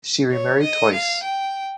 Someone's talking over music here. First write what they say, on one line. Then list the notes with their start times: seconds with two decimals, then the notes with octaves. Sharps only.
She remarried twice.
0.31 C#5
0.62 D#5
0.93 F5
1.23 G5